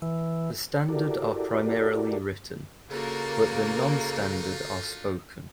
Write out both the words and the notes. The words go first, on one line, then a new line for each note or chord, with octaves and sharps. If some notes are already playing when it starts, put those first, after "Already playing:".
The standard are primarily written, but the non-standard are spoken.
E3
E4 F#4 G4 A4 A#4 D5
C#3 A#3 D4 D#4 F4 F#4 A4